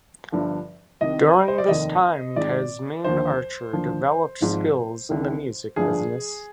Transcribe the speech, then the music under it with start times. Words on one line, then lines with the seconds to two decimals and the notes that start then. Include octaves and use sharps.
During this time, Tasmin Archer developed skills in the music business.
0.32 G1 G2 D3 F3
1.01 C2 C3 D#3 D#5
1.48 C5
1.58 D5
1.68 F1 D#2 D#3 D#5
2.36 G#1 G#2 D#3 D5
3.04 D#2 D3 F3 C5
3.73 D#2 D3 F3
4.41 G#1 G#2 F3
5.09 C2 C3 D#3
5.76 G1 G2 F3 G#4